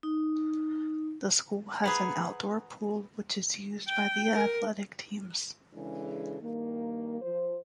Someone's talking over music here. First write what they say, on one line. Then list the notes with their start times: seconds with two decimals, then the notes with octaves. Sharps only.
The school has an outdoor pool which is used by the athletic teams.
0.03 D#4
1.84 G#4 B4 C5 F#5 A#5 B5
3.87 G5
4.34 A#4
5.74 C#3 E3 G#3 D4 A4
6.40 G2 D#3 A#3
7.22 F3 C5